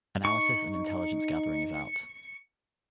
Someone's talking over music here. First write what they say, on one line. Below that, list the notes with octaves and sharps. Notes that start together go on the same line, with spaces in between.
Analysis and intelligence gathering is out.
D#4 C#6